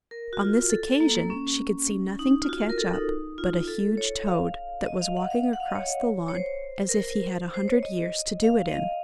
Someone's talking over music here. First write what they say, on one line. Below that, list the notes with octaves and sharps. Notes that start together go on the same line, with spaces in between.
On this occasion she could see nothing to catch up but a huge toad, that was walking across the lawn as if he had a hundred years to do it in.
A#4
F#4
F4
A4
A#3
A#3
C#4
D#4
F4
F#4
A#4
A4
D#4
F4
A4
C#5
F5
D#5
F5
F#5
F5
F#5
F5
D#5
C#5
C#5
C5
A#4
C5
C5
C#5
D#5
F5
D#5
F5